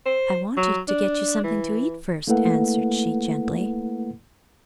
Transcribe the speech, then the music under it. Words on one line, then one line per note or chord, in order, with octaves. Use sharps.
"I wanted to get you something to eat first," answered she, gently.
C5
F#3
D4
E3
A3 A#3 E4 A4 B4 F#5